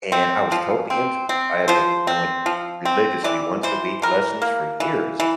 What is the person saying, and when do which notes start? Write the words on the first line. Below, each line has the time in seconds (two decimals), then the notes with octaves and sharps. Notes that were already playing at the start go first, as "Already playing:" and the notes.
and I was totally into it, I had to I went r r religiously once a week, lessons for years
0.12 C4
0.52 F3
0.90 C4
1.29 C4
1.68 F3 C5
2.07 C4
2.46 F3
2.85 C4
3.24 E3 D5
3.63 E3 C5
4.02 E3 A#4
4.42 A#3
4.80 E3
5.20 E3